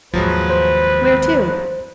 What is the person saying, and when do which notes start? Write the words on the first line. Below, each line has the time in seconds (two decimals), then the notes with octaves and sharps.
"Where to?"
0.14 D#2 G#2 F3 F#3 G#3 B4
0.50 C5